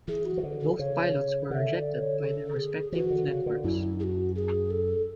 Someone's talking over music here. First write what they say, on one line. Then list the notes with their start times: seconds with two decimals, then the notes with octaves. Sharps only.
Both pilots were rejected by their respective networks.
0.08 E3 G#4
0.25 F#4
0.37 E3
0.43 D3
0.61 A4
0.79 C#3 C#5
1.50 D3 F#5
1.55 E5
1.74 D5
1.98 C#5
2.22 A4
2.57 G#4
2.92 E3 F#4
3.10 D3
3.28 C#3
3.46 D3
3.64 F#2 E4
3.99 G#4
4.04 F#4
4.36 G#4
4.70 A4